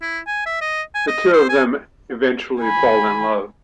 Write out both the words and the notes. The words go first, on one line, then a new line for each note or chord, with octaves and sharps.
The two of them eventually fall in love.
E4
G#5
E5
D#5
G#5
D#5
C5
G#5
G#5 B5